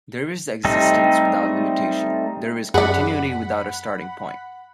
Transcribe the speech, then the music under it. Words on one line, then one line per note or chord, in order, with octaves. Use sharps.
There is existence without limitation; there is continuity without a starting-point.
G3 A3 C4 D#4
F#2 G#4 D5 F#5 B5